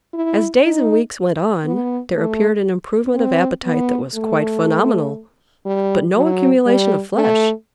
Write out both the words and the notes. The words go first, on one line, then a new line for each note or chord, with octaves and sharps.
As days and weeks went on, there appeared an improvement of appetite that was quite phenomenal, but no accumulation of flesh.
E4
D#4
B3
A3
C4
B3
A3
G3
F#3
G3
A3